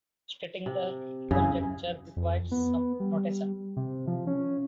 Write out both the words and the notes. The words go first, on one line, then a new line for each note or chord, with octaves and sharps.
Stating the conjecture requires some notation.
C3
F#2 C#3 E4 G#4
F2
B3
G3
C3
F3
C#4